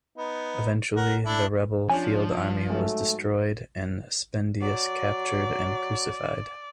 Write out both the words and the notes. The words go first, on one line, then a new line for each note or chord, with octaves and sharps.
Eventually the rebel field army was destroyed and Spendius captured and crucified.
B3 D#4
A#4 F#5
D4 E4 A4
F3 C#4 D4 G#5
G#2 F#3 A3
F#3 D5